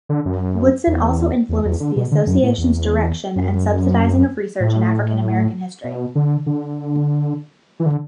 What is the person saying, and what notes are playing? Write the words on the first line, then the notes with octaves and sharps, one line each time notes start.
Woodson also influenced the Association's direction and subsidizing of research in African-American history.
D3
F#2
E2
E2
E2
D3
B2
D3
F#2
A2
E2
F#2
A2
B2
D3
D3
E3
D3